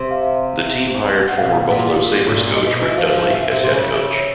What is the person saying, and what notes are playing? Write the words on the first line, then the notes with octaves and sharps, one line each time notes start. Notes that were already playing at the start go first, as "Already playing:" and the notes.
The team hired former Buffalo Sabres coach Rick Dudley as head coach.
Already playing: C3
F5
F#5
B2 F5
A#2
A#2
A2
A#2
D#5
B2 E5
E3
F3 F5
F3
E3
C3
C3
C#3
C#3 E5
C#5